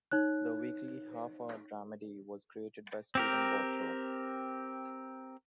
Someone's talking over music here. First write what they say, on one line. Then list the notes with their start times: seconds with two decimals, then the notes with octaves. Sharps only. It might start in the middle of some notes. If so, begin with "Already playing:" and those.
The weekly, half-hour dramedy was created by Steven Bochco.
0.12 D#4 C#5 F#6
3.15 C4 G4 A#4